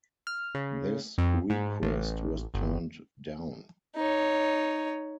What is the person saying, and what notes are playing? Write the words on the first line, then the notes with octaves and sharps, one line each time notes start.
This request was turned down.
F6
C#3
F2
G#2
A1
G1
D#4 C#5